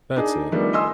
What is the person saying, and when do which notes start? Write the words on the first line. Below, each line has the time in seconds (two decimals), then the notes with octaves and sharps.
That's it.
0.16 D4 D#4 G#4
0.52 D#3 F3 G3 A3 B3 D4
0.73 D#5 G#5 C6 D#6 E6